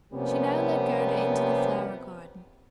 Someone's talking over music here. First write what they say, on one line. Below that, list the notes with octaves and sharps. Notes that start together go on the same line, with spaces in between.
She now led Gerda into the flower-garden.
C3 F3 G3 A#3 B3 C#4